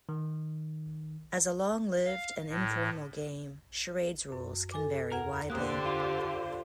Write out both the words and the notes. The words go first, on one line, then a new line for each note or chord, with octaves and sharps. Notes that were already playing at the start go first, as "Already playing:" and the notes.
As a long-lived and informal game, charades' rules can vary widely.
D#3
F5
A2
F#2
A4 G#5 D6
E2 A#4 F#5 G#6
D3 A#3 G4 C5 A#5 D#6 F#6
F4